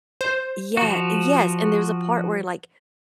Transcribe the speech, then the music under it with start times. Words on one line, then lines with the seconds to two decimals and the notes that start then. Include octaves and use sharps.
Yeah, yes, and there's a part where, like,
0.21 C5
0.77 F3 F#4